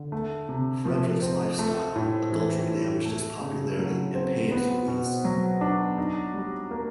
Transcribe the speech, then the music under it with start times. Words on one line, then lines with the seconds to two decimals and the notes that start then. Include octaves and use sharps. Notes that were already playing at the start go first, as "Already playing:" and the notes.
Fredrick's life style and adultery damaged his popularity and pained Louise.
Already playing: D3
0.12 A3
0.49 C3
0.85 F3
1.22 C4
1.59 A3
1.96 A2
2.32 E3
2.68 A2
3.05 A3
3.41 C#3
3.79 F#3
4.15 C4
4.51 B3
4.88 B2
5.25 F#3
5.61 D4
5.98 D#4
6.34 G3
6.71 A#3